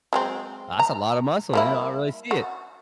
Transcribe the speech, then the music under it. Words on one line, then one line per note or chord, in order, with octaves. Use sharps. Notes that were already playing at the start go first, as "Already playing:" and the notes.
that's a lotta muscle. You know, I really see it.”
F#3 G#3 C4
A#5
G3 A#3 E4
F#4